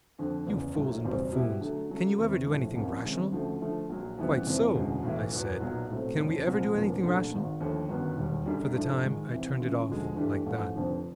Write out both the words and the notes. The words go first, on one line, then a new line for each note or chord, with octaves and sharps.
'You fools and buffoons, can you ever do anything rational?' 'Quite so,' I said, 'can we ever do anything rational?' For the time I turned it off like that.
F2 D3 F3
F#1 E2 C#3
A#1 A2 F#3
F#1 E2 B2 G3 C4
B2 G3 B3 E4 G4
D3 F#3 A3
C#3 F#3 A3
E2 C3 D#3
A#1 A2 F3
C2 C3 F3 A#3 C#4
C3 D#3 G#3 C#4
D2 C#3 F3 A3
D3 F3 A3
A#1 A#2 F#3
F2 C#3 E3 G3 B3
F1 F2 C3 E3
E1 D2 C#3 E3 G#3
B1 A2 E3
E2 B2 F#3 B3
B1 A#2 F#3 B3 D#4
B1 A2 F#3 A3 C4
F1 D#2 C#3 F3
C2 A#2 F3 G#3 C4
E1 E2 C#3 F3 A#3
C2 A#2 F3 A3 D4
G#1 G#2 D#3
D#2 D3 F3 A3
G1 F#2 D#3 F#3 B3
E1 D#2 D#3 G3
F#2 D3 G3
A2 F3 A3 D4 F4
G#2 D#3 G#3
C2 C3 E3
C#3 E3 G#3 C#4 F4
E1 D2 D3 F3 G#3
G2 E3 A3 D4 G4
A1 G#2 F3 A3 C#4
F1 F2 D3 F3